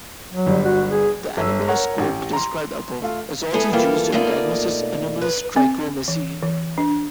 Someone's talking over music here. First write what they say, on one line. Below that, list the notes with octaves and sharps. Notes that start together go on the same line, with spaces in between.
The anomaloscope, described above, is also used in diagnosing anomalous trichromacy.
F#3
G1 G3
F#4
G#4
G1 E6
A#4 C#5 F#5
A1 G4
A#5 C6
A3 F4
G#3 B3 E4 G#4 A4
E3 G3 A#3 F4 A4
B2 A3 A#3 D#4 F4 D5
B4
C4
E3
E3
D4